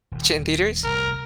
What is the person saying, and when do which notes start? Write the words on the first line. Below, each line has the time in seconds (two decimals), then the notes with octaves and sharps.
tch it in theaters?
0.12 D#1 D#2
0.84 F1 C2 A#4